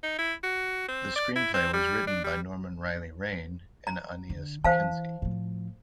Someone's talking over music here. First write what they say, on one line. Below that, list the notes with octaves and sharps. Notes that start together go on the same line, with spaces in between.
The screenplay was written by Norman Reilly Raine and Aeneas MacKenzie.
D#4
E4
F#4
C4
D5
E4
C4
G3
D4
G3
A#5
D3
E3 C5 F5 A5
A2 F3